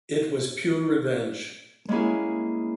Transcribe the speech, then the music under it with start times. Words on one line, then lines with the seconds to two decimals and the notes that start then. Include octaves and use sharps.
It was pure revenge.
1.89 G#3 A#3 C#4 E4 G#4